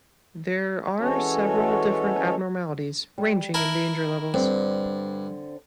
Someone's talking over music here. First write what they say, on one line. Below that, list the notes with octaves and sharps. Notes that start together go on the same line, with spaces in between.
There are several different abnormalities ranging in danger levels.
E3 G#3 C#4 F#4 A4 C#5
G3
E4 A#4 A5
G2 D3 C4